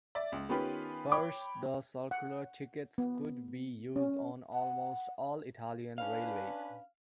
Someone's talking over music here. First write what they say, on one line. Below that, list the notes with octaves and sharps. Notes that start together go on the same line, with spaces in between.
First, the circular tickets could be used on almost all Italian railways.
D5 E5
C#2
D#3 B3 C#4 F4 G4 B4
C#5 G5 B5 D6
F#5
B3
C#4
F#5
C#4 D4 B4 F5